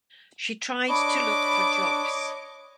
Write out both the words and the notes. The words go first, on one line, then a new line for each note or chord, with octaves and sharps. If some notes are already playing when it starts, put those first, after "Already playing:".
She tried to look for jobs.
D4 C#5 D#5 B5 C#6 D6